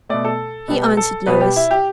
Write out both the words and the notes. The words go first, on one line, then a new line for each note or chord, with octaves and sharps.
He answered Lois.
B2 A3 D5
A4
B2 G3 B3
A4
B2 G3 B3 B4
G4
E4
G4